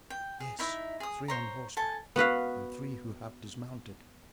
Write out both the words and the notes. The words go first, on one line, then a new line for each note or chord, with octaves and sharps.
"Yes, three on horseback and three who have dismounted."
G5
G#4
D#4 E4 E5
G#4 D#6
C5 C#5 A#5
A4 G#5 A5
B3 F#4 B4 F5